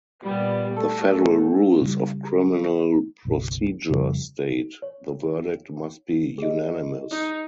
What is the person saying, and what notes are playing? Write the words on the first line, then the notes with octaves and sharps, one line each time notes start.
The Federal Rules of Criminal Procedure state, The verdict must be unanimous...
A#2 G3 B3
A3 A4
C#3 G3
F#1 B1 D#3
F2 C#3 F3 G3
C#5
G#4 D#5
D#4